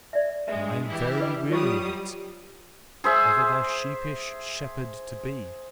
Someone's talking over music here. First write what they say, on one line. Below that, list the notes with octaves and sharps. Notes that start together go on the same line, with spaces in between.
I am verily weary of it, ever thy sheepish shepherd to be.
D5 E5
G2 G#3 E5
E3 E4 G4
B4 D#5 D6
F#3 G3 F4 C#5 C#6 D#6
G#4 C5 E5